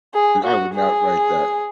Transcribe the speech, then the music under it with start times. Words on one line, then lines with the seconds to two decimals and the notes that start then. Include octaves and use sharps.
I I would not write that.
0.14 G#4
0.45 F#4
0.75 G#4